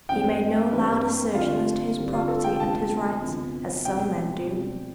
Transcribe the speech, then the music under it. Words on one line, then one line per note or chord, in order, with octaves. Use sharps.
He made no loud assertion as to his property and his rights, as some men do.
G2 E3 G3 C4 E4 G5
G2 E3 G3 C4 E4 B4
D3 G3 C4 E4 F4 G4
D3 G3 C4 E4 G4
F4
A4
G5
D2 C3 E3 B3 F4 A5
D2 C3 E3 B3 F4
B2 G3 C4 G5
B2 G3 C4